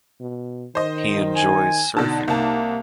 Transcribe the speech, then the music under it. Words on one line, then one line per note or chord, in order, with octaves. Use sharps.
He enjoys surfing.
B2
D#3 C5 D#5
G#5
B2 D3 D#4 A5
C2 A#3 A5